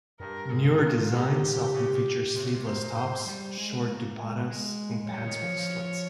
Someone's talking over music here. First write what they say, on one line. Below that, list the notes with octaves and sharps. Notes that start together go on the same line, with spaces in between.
Newer designs often feature sleeveless tops, short dupattas, and pants with slits.
G2 A#4
G#2 G#4
A#2 F4
A#2 G4
G2
C#3
C#3
C3
C3
C#3
C3
A#2 C5
A#2
G#2 C5
G#2
G3
G#3
A#3
G#3
G#3
G3 C#5
D#3
F3
F3